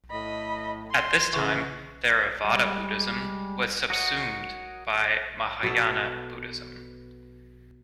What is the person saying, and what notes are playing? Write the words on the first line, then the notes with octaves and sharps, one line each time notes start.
At this time, Theravada Buddhism was subsumed by Mahayana Buddhism.
A2 D#5 B5
C6
C#3 E3 C#6
G3 G#3
F#4 A#4 C#5 D#5 F#5
B2 B3 A4